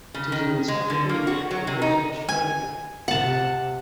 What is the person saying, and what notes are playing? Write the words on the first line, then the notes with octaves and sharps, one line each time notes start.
It is an encyclopaedia of the laws of Australia.
C#3
D#3
G#3
D3
A#3
F#4
F#3
C3
D#4
G#5
C3 F#5 A5